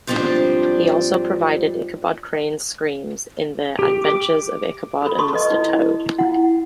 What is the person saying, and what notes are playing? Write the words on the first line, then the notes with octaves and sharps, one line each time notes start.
He also provided Ichabod Crane's screams in "The Adventures of Ichabod and Mr. Toad".
G#2 F3 G3 C4 D4
G4
D6
A4 B5
A4 A5 C6 C#6 D#6
B4 D#5
D#4 E4
E4 F#5